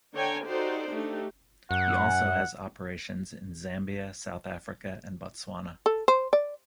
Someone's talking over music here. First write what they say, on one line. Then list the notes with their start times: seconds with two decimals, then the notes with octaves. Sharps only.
He also has operations in Zambia South Africa and Botswana.
0.13 D3 D4 C#5 G5 G#5 A#5
0.45 D#4 F#4 G4 A4 C5 D5
0.90 A3 D4 D#4 G4
1.71 F#2 F#5
5.86 A4
6.08 C5
6.33 D5